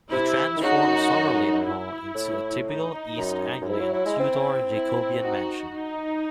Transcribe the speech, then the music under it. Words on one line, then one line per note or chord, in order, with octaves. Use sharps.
He transformed Somerleyton Hall into a typical East Anglian Tudor-Jacobean mansion.
C3 E4
D#3
C#3 D#4 F#4
F#2
E4
A2
D#4
F#2
F#2
G#2 E4
F#3
F#3
G#3
C4
E4
D#4 F#4
D#4